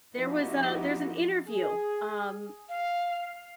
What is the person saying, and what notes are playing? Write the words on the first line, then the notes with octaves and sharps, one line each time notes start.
there was a there's an interview, um,
F3 B3 D#4 E4 F#4 G4
G#4
F5